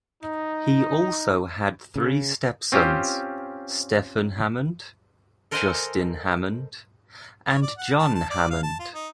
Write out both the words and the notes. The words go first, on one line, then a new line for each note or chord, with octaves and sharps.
He also had three step sons, Stephen Hammond, Justin Hammond, and John Hammond.
D#4
C#3
C4 C#4 F4 G4 C5
A4 A#4 C5 D#5 F#5 G#5
C#5
D5
F#5
A5
A5
D5
F5
A5
F4
D#4